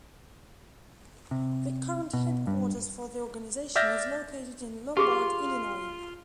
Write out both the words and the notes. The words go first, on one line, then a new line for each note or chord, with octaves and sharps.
The current headquarters for the organization is located in Lombard, Illinois.
C3
B2
G2
D5 E5 F6 G6 A6 A#6
F4 G4 G#4 D6